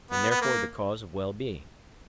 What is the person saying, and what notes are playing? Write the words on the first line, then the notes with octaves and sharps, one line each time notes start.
And therefore the cause of well-being?
B3
B3
A#3